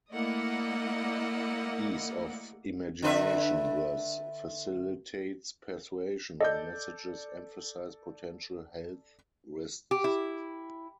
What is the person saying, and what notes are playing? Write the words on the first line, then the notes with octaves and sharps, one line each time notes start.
Ease of imagination thus facilitates persuasion when messages emphasize potential health risks.
A3 A#3 E4 D5 D#5 F#5
D3 B4 E5
A4 D5 D#5 G6
G4
E4